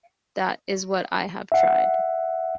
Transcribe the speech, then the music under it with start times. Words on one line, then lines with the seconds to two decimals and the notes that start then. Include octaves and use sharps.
That is what I have tried.
1.52 E5 F#5